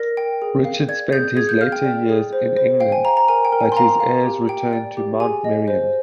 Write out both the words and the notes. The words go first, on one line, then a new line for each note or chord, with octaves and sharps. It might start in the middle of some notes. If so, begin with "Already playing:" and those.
Richard spent his later years in England, but his heirs returned to Mount Merrion.
Already playing: A#4 D5 A#6
G5
G#4
F5
D5 G#6
G#4 G6
G#4 G#6
G6
F5 F6
G5
D5
G#4
C5
C5
F5 G5
G#5
F5 A#5
A#5
A#4 G#5
G5
A#4
G#5
C6
F5 A#5
F5
G4
G5
D5
G4
G#4 G#5
D#5
C5